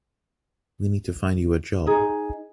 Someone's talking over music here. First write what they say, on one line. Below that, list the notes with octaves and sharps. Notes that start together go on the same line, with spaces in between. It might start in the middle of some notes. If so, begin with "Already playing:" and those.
We need to find you a job.
D#4 G#4